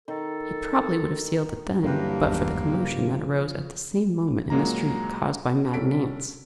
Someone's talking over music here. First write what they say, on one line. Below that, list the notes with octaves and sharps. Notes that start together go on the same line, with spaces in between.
He probably would have sealed it then, but for the commotion that arose at the same moment in the street caused by Mad Nance.
D#3 A4
G2 D3 E3 F#3 A#3
G#1 E2 F#3
C#3 F3
A#2 F#3 G#3 A#3 A#5
C2 B2 C#4 A4 B6 D7